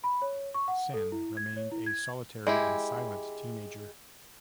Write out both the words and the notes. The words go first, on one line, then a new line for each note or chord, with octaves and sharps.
Sen remained a solitary and silent teenager.
B5
C#5
C#6
F#5
A4
E4
G#6
C#5
E4
G#6
G#3 E4 G4